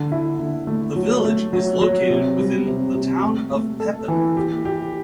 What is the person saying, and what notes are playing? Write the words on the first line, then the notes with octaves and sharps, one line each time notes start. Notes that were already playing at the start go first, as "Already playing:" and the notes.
The village is located within the Town of Pepin.
Already playing: D3
E4
D3
A3
F#3
A3
F#3
F#3
C3
G3
C3
C3
A3
A3
A4
E3
G4
G4